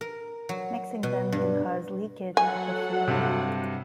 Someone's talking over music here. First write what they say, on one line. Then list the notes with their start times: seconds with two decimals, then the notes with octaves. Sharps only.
Mixing them can cause leakage at the flare.
0.01 A#4
0.49 F#3
1.03 B2
1.32 G2
2.37 F#3 A4 F#5 G#5
3.08 G2 C3